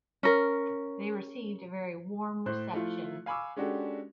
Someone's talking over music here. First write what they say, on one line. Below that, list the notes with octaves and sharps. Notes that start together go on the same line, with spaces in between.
They received a very warm reception.
C#4 A#4
A2 C5 F#6
F3 A3 E4 F4
F5 G#5 B5 C#6 D6 E6
G#3 C#4 D4 F#4 G4 A4